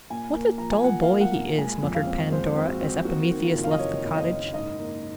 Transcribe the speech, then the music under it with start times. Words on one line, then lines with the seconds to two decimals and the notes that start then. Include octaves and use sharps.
"What a dull boy he is!" muttered Pandora, as Epimetheus left the cottage.
0.10 A#2 G#5
0.35 A#3
0.58 F3 A#5
0.71 G#5
0.84 F3 F#5
1.02 F5
1.09 A#3
1.21 F#5
1.34 A#2
1.58 G#3 G#5
1.82 F2
1.95 F5
2.07 C4
2.32 G#3 C5
2.56 C4
2.69 F#4
2.82 C4
3.05 A#3 F#4
3.31 D#3
3.43 F4
3.54 F#1
3.64 F5
3.71 D#5
3.79 D#3 C#5
4.04 F#1
4.17 D#5
4.28 F#1
4.54 G#2 D#5
4.79 A#3